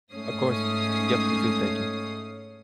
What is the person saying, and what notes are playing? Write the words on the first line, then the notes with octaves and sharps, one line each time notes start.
Of course. Yup, you too, thank you.
G#2 A3 C#4 D#6 C7